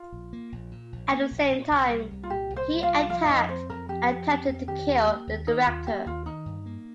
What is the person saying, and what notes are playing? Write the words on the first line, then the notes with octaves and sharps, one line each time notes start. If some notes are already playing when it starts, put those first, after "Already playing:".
At the same time he attacked and attempted to kill the Director.
Already playing: F4
A#1
A#3
A#1
A#2
A#1
A#3
A#1
A#2
C2
G3
C2
F4
A#2 G4
C2
C5
G3
F4 F5
C2
F3 F4 F5
F2 D#4 D#5
C4 C5
F2 A#4
F3 G4
F2
C4
F2
D#3 G4
D#2
A#3
D#2
D#3 D#4
D#2 F4
A#3 G4
D#2 F4
D#3 D#4
G2
A#3